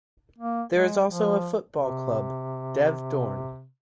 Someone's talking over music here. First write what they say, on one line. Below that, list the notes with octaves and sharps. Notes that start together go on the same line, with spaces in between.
There is also a football club, Dev Doorn.
A#3
G#3
F3
C3